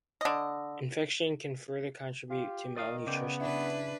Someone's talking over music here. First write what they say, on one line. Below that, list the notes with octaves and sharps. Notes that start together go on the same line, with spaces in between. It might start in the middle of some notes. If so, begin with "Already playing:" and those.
Infection can further contribute to malnutrition.
D3 D#5
F4 G4
D#3 D5 D#5 F5
C#3 B3 D5 G5
D4 E4 B4